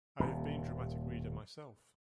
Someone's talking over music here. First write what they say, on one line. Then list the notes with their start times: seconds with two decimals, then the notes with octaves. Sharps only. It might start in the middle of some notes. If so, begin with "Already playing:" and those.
I have been dramatic reader myself.
0.20 D#1 D#2